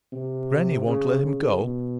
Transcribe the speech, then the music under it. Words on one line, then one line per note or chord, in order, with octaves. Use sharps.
Grannie won't let him go.
C3
C#3
C#3
B2